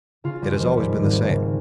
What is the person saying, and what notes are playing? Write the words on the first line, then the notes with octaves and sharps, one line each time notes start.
It has always been the same.
C#3 F4
G3
D#2
F3
G#2 G3
G#1
C#3